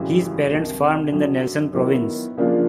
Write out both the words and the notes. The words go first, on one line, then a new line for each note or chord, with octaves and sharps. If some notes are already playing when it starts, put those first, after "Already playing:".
His parents farmed in the Nelson province.
Already playing: G#1 F#2 C#3 E3 G3
C2 C3 D#3
F#2 D3 F#3
D#3 F#3 B3 E4
C#3 F3 A#3 D4 F4